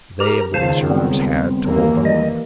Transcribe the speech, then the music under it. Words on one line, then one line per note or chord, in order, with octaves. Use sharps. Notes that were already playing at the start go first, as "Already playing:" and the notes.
They of the reserves had to hold on.
G4 A#4 A#5
C#2 D#3 C5 F5 A5
G3 B3 C4
D#2 E3 A#3
G3 G#3 D#5